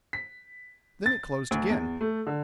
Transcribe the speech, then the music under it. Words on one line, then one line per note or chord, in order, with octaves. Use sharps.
Then it closed again.
B6
A6
D2
E2
A3
D3